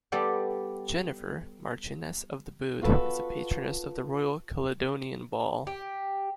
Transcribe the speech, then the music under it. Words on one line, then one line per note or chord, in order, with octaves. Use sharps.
Jennifer, Marchioness of Bute, is a Patroness of the Royal Caledonian Ball.
G3 B3 G4 A4 D5 C6
B3 F4 F#4 A4 B4
G4